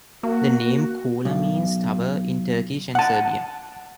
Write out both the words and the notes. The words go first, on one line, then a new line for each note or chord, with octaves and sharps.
The name "Kula" means "tower" in Turkish and Serbian.
A#3 F#4
B1
F#5 A5